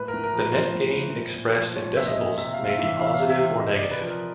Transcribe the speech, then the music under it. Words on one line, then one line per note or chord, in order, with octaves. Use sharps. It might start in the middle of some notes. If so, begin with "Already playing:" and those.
The net gain expressed in decibels may be positive or negative.
Already playing: A2 B4
A#4
A2
A#4
F3 B4
F3 C5
A2
A2
A#2
A#2
F3
F3 C#5
A#2 E5
D#5
A#2
C3 E5
F5
C3
F5
E5
E3
E5
E3 F5
E5
F5
C3
E5
C3
C3 D#5
D5
C3
B4
F3
A#4